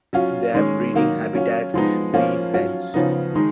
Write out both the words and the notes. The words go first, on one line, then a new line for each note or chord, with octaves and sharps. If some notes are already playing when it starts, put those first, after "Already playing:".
Their breeding habitat is reed beds.
F#3 C#4 F4
D#3 G#3 C#4
D#3 F#3 A#3 D#4
F#3 C#4 F4
F3 G#3 B3 D#4
F3 A#3 C#4 F4
F#3 C#4 F4
C#3 F3 B3 D#4
D#3 G#3 D#4